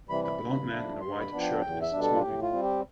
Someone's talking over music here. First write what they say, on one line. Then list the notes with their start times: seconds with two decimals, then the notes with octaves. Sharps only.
A blond man in a white shirt is smoking.
0.09 C3 E3 G3 B5
0.24 B5
0.40 G2
0.70 F3 A3 D4
1.00 G2 C6
1.21 B5
1.32 F3 B3 D4
1.41 G5
1.61 E2 G5
1.82 E5
1.92 B2 G3 D4
2.02 A4
2.15 F4
2.22 A2 G4
2.42 F4
2.52 G3 C4
2.63 G4